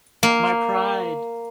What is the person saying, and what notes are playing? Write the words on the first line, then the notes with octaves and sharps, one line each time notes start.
My Pride!
A#3